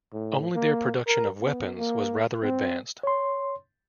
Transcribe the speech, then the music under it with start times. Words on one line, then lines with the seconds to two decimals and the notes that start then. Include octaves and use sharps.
Only their production of weapons was rather advanced.
0.13 A2
0.55 A#3
1.07 A#4
1.42 B3
1.77 A#3
2.43 C4
3.03 C#5 C6